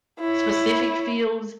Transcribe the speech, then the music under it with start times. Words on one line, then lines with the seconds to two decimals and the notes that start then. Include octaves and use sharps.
specific fields?
0.20 E4 C#5